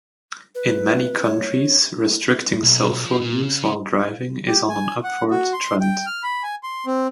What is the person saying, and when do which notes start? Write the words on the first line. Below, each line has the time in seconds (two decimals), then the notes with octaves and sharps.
In many countries, restricting cell phone use while driving is on an upward trend.
0.55 B4
1.25 C#5
2.63 B1
2.92 B1
3.05 F3
3.20 A#2
3.43 C#3
4.48 G4
4.69 G#5
5.04 F#5
5.31 F#4
5.53 C6
5.81 G5
6.06 F6
6.23 B5
6.43 G#5
6.63 C6
6.86 C4